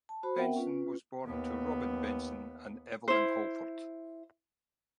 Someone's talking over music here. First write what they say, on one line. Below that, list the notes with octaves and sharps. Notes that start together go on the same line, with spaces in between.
Benson was born to Robin Benson and Evelyn Holford.
A5
F#4 C5 B5
B3 C4 A#4 E5 F#5 G5
C#4 F4 B4
D#2 B3
E4 C5